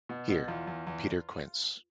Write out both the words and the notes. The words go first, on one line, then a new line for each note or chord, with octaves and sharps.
Here, Peter Quince.
B2
B2
E2 F4
E2
E2